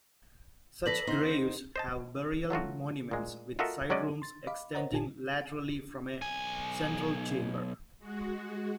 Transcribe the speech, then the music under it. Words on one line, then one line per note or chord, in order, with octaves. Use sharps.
Such graves have burial monuments with side rooms extending laterally from a central chamber.
A4 B4 D5 A#6 B6 F#7
E2 D#4 C5
C5 D#5 A5
F#3 A3 F4 F#4
A#2 G#3
F4 F#4 A4 A#4 D#5 E5
F#3 G#3 C#4 D5 D#5
C6 A6
D#5 F5 B5 D6
A#4 C5 C#5 D#5 F#5 A#5
G1 A#2 F4 G4 G#5 A5
B1 G#5
G#3 F#4